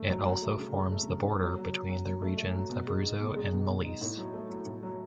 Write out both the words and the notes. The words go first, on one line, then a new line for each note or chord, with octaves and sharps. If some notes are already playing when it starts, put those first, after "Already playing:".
It also forms the border between the regions Abruzzo and Molise.
Already playing: A3
F#3
F#3
A3
C#3
C#3
A3
C#3
C#3
F#3
F#3
F#3
F#3
F#3
A3
A3
F#3
B2
G#3
D#4
B2
G#3
B2
B2
D#4
A2
F#3
A3
F#3
A2
F#3